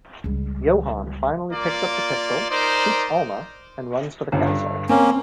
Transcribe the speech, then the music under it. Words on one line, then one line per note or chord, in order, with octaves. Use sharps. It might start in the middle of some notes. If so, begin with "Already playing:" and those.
Johan finally picks up the pistol, shoots Alma and runs to the castle.
C#2 G3
A#3 F4 D5
D#4 A#4 C5 D5
G1 C#2 D3
G2 D3
A#3 C4 C#4